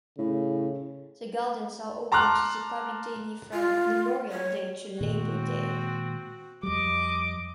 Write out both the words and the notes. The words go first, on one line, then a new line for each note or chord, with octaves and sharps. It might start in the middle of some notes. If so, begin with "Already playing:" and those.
The Gardens are open to the public daily from Memorial Day to Labor Day.
A2 C#3
A5 A#5 C6 D6 F6 F#6
F4
C#5
A#2 D#3 G#3 C4 F#4
F2 G3 D#5 D6